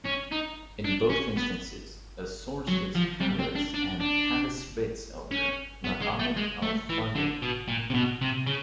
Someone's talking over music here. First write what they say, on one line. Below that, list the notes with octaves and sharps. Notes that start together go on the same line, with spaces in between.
In both instances, a source was Harrod's and Paris Ritz owner Mohammed Al-Fayed.
C#4
D#4
D4
C#4
B3
F#3
F3
G3
C4
D4
D4
D4
C#4
B3
G#3
A3
G#3
A3
E3
D3
B2
A#2
C3
B2
C3
C#3